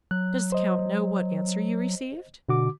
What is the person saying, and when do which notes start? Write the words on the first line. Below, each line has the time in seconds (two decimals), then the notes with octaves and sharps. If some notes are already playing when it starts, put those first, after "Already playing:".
"Does the count know what answer you received?"
0.11 F#3 F#6
0.52 C5 D#5
2.49 B2 D3 F#4 D6